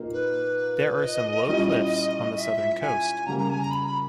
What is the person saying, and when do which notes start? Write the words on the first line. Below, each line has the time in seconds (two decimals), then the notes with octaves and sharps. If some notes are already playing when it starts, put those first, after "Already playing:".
There are some low cliffs on the southern coast.
Already playing: A#2 A#3 D#4
0.13 B4
1.03 D#5
1.48 A#2 G3 C#4 E4
2.37 E5
2.82 G#5
3.26 C#3 G3 A#3 A#5
3.38 A#5
3.50 G#5
3.60 A#5
3.71 B5
3.87 B5